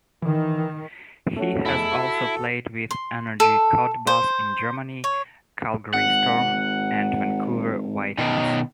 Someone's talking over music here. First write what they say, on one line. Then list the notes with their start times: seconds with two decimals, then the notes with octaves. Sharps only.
He has also played with Energie Cottbus in Germany, Calgary Storm, and Vancouver Whitecaps.
0.22 D#3 E3
1.36 A3 C#4 F#4
1.65 F1 E2 E4 A4
1.92 F#4
2.91 C6
3.40 A4
4.07 C5
5.04 C#5
5.94 G#1 F#5
8.18 B2 D#3